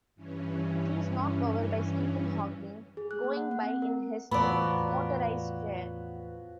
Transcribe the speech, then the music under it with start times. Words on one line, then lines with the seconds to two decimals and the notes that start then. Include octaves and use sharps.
He is knocked over by Stephen Hawking going by in his motorized chair.
0.15 G2 E3 C#4
2.97 G#4
3.11 F#6
3.24 A#3
3.37 F#5
3.51 F#5
3.63 C4
3.82 A#4
4.31 E2 A2 F3 F#3 B3 F#4 D5 B5